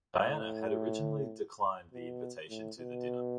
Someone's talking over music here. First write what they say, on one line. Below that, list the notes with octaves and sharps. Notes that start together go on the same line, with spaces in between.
Diana had originally declined the invitation to the dinner.
A2
B2
A2
B2